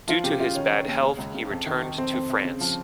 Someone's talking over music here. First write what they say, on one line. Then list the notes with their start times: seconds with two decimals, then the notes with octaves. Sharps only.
Due to his bad health he returned to France.
0.07 F3 F4
0.24 C#3 G4
0.39 C#3 F4
0.55 D#3 C#4
0.72 D#3
0.88 D#2
1.03 C#3
1.18 C#2
1.34 C#3
1.51 F2
1.66 D#3
1.82 D#3
1.98 F2 C4
2.13 F2
2.30 F2
2.45 C#3
2.61 F3